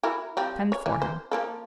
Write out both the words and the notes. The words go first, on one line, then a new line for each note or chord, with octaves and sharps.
Send for him.
E4 F#4 A#4
F3 G3 C4
C#5
E3
C5
F3 A#3 A4